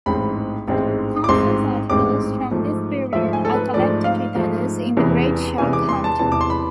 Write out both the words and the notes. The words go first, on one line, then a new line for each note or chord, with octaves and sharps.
Thompson's articles from this period are collected with others in "The Great Shark Hunt".
A1 G#2 G#3 C4 B5
A1 G#2 G#3 C4
D6
A1 G#2 G#3 C4 C6
A1 G#2 G#3 C4 D6
G#2 F3 A3
G#2 F3 A3 E5
G#5
A4
B4
G#2 F3 A3 D5
F5
G#2 F3 A3
E1 E2 C3 E3 B3
E1 E2 C3 E3 B3 G#5
D6
C6
A5
E1 E2 C3 E3 B3 A5
D6
C6
B5